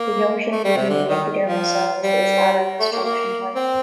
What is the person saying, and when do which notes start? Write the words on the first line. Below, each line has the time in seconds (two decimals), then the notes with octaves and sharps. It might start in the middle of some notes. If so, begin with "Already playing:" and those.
The junctions between the epidermal cells is adherens junction type.
Already playing: A#3
0.52 A3
0.64 G3
0.76 C3
0.89 D3
1.08 D#3
1.46 F3
2.03 G3
2.79 A3
2.92 A#3
3.05 A#3
3.55 C4